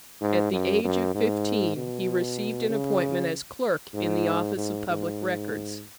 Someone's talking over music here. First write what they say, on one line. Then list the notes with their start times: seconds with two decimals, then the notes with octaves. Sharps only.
At the age of fifteen he received an appointment as clerk in the office of Public Records.
0.21 G#2
0.52 F#2
0.84 F#2
1.15 G#2
1.76 B2
2.69 C#3
3.94 G#2
4.56 G#2
4.88 G#2